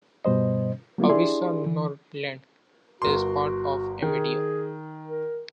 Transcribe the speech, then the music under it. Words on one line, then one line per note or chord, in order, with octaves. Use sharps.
"Avisa Nordland" is part of Amedia.
G2 B2 G3 C5 D#5
F#3 G3 A#3 B3 E4 F4
D4 E4 G4 G#4 D5 C6
E3
G1 F#4 A#4 C6
D#3 G#4
A#4